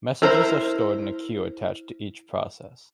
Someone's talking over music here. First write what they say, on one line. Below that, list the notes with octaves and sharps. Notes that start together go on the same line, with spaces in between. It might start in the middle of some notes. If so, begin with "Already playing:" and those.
Messages are stored in a queue attached to each process.
E4 A#4 C5